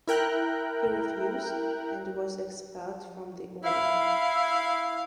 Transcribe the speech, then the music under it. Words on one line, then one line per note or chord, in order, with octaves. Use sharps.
He refused and was expelled from the order.
E4 A#4 G5 F#6
E4 F5